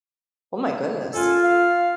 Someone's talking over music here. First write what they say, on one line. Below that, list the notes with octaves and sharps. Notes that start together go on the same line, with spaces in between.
Oh, my goodness.
F#2 F4 A4 G#5
F5